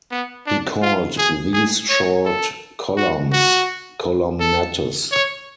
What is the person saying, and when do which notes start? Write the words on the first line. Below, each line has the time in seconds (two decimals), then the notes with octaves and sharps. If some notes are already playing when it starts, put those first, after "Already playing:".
He called these short columns columnettes.
0.11 B3
0.47 D4
0.82 F4
1.18 G#4
1.53 G#4
1.89 C#5
2.25 A4
2.97 F#4
3.32 F#4
4.40 A4
5.12 C#5